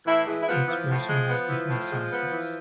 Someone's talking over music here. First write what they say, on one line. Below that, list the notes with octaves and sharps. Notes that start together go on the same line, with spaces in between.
Each version has different soundtracks.
A2 E3 E4
E3 G#3 E4
E4
F3 B3 F4
E3 F3 F4
A2
G#3
B3
E3
A2
G#3
B3
E3